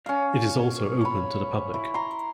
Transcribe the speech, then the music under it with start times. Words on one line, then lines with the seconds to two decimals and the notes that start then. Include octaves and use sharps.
It is also open to the public.
0.06 C#4 F5
1.01 C#5 B5
1.74 E4
1.94 A#5 C6